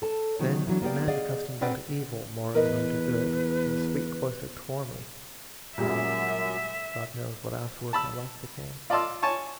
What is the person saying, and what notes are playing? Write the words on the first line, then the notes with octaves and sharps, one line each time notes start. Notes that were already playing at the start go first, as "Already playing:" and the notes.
Then men accustomed unto evil more Than unto good, from the sweet cloister tore me; God knows what afterward my life became.
A4 A5
B2 D#3 F#3 B3
E3 F#3 D4
A#3 B3 F4 G4 D5
G#4 D5 D#5 F5 F#5
C4 A#4 B4 D5 F#5
E2 A#4 B4 D#5
F#2 A#2 G3 G#3 E5
A5 B5 E6
F4 D5 D#5 A5 C6 E6
C#5 G#5 A5 C#6